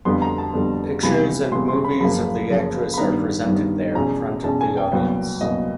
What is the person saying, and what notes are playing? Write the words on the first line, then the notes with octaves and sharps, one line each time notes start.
Pictures and movies of the actress are presented there in front of the audience.
F2 D3 G3 B3 C6
A#5
A5
F2 D3 G3 B3
C#2 C3 E3 G3 B3 B5
C#2 C3 E3 G3 B3 C6
C6
B5
F#2 C#3 F3 A#3 B5
F#2 C#3 F3 A#3
B5
G2 D#3 G3 B3 A#5
G2 D#3 G3 B3
E2 B2 G#3 C#4 A#5
E2 B2 G#3 C#4 A5
G#5
G5
C2 A#2 F#3 B3
C2 A#2 F#3 B3 D#5